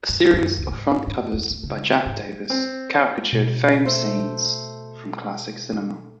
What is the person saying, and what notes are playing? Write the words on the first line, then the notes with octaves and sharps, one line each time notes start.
A series of front covers by Jack Davis caricatured famed scenes from classic cinema.
G2
F#2
C#2
G#2
G2
D#2
A3
C#3
G#2
C4
B2
A3 A4 C5